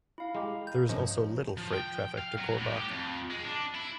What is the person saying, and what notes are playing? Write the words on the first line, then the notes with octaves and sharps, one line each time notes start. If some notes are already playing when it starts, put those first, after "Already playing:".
There is also little freight traffic to Korbach.
E4 F5
G#3 G4 A#5
G6
G2 F3 C#4 D#5
F3
G5
F5
F#3
A2
G4
F2
G#3
D4
E4